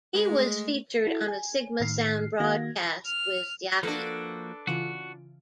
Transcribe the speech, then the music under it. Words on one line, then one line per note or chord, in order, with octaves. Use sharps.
He was featured on a Sigma Sound broadcast with Sciaky.
G#3 B4
A3
E4 F#4 A4
G#5
A2 D#3 F6 C7
D#3 A#3 F#4 F5 G#6 A#6
F6
F3 A#3 D4 F#4 A4 B4
C#3 E3 F4 F#4